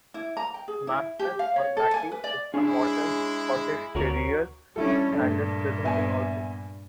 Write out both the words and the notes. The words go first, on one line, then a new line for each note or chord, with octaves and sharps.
Macbeth, or "Mackie", is the Morton's Scottish terrier and is present in all books.
E4
A#5
G5
G#4
E4
G4
F5
C#5
A4
G#5
B4
D5
G#3 D4 E4 G#4 C#5
D2 F#4 A#4 C#5
G3 C#4 D4 E4 A4
G2 A#2 A3 D4
B3 E5 G#5